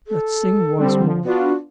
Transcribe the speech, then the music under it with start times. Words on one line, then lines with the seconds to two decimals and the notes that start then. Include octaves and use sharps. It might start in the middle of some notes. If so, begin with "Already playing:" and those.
Let's sing once more!
0.07 A4
0.77 D3 G3 C4
1.05 F3
1.25 B3 D4 F4 F#4